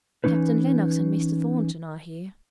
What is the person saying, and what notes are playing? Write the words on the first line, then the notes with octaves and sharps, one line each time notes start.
Captain Lennox and Mr. Thornton are here.
E3 F3 C#4 D#4 B4